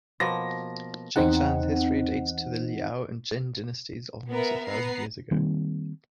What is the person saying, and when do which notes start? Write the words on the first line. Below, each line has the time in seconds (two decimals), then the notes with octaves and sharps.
Jingshan's history dates to the Liao and Jin dynasties, almost a thousand years ago.
0.20 B2 F3 A#3 A#6
1.16 E2 C4 D#4 F#5
4.29 B3 A#4 E5
4.67 B3 B4 A#5 C7
5.31 D#3 G3 A#3 C4